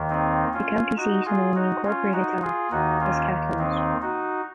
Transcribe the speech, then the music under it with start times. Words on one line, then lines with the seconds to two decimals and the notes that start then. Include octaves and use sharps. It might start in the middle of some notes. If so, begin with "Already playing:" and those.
The county seat and only incorporated town is Cathlamet.
Already playing: D#2 D#3
0.10 C4 D#4
0.53 C#4 F4
0.97 D#4 F#4
1.26 F4 G#4
1.55 D#4 F#4
1.85 C#4 F4
2.13 D#4 F#4
2.42 F4 G#4
2.71 D#2 D#3 D#4 F#4
3.00 C#4 F4
3.59 C4 D#4
4.02 D#4 F#4